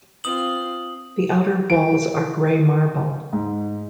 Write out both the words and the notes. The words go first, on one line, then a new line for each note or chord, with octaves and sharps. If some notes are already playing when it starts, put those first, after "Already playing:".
The outer walls are grey marble.
C4 F4 D#6 F#7
D7
G#2